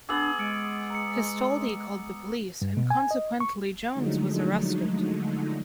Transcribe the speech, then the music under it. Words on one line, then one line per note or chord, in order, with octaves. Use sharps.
Castaldi called the police and consequently Jones was arrested.
B3 D4 G#4 D6 E6 F#7
G#3 F6 C#7 D7
A#5 E6 C#7
G2
B2
G#5
D#5
C#6
D3 F3 F#3 G#3 A3 D#4